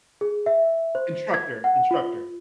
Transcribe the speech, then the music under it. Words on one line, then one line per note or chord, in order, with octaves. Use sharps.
Instructor, instructor.
G#4
E5
C5
G#6
F#5
F4